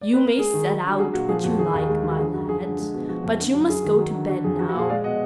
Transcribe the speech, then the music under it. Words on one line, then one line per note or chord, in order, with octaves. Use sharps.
"You may set out what you like, my lad, but you must go to bed now."
D5
B4
A#4
G#3 G#4
D#3
F#3
D3
F#4
F#3 G#4
A#2 F#4
F3 G#4
F2 F#4
D#3 G#4
D#2
G#3
D#3
F#4
D3 G#4
F#2 F#4
F3 G#4
D3 G#4
G#3
B2
F3 F#4
F2
D3
F#2
F#3 G#4
D#3
F#3
D3
D3 F#4
F2 G#4
F3 F#4
F#4
A#2 G#4
G#3 D5 F5
B2 D#5 F#5